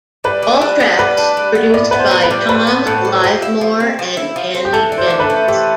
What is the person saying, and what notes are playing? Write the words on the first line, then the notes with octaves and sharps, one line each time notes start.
All tracks produced by Tom Livemore and Andy Jennings.
G3 B4
D4
G3
B3
G3 B4
D4
G3
B3
A2 D5
B3 B4
C5
A2
B4
G3
A2 B4
B3
A2 A4
G3
F3 G4
E4
F3
C4
F3
E4
F3
C4
G4
E3 A4
D4
C5
E3
B4
A4
A3
E3 G4